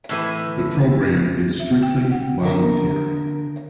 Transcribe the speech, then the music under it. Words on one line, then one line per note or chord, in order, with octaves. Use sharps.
The program is strictly voluntary.
A2 E3 B4
E5
G5
F#4
F#5
D3 A#4